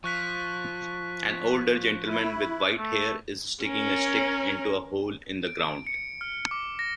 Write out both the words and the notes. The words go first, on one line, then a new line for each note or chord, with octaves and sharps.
An older gentleman with white hair is sticking a stick into a hole in the ground.
F3 C#6 F#6 B6
E4
A3
C#4 A#4
D7
C#7
F6
D6
A#6